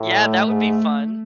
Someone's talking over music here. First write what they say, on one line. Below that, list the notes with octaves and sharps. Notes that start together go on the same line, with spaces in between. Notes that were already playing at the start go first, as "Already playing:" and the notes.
Yeah, that would be fun.
Already playing: A2
A3
G#2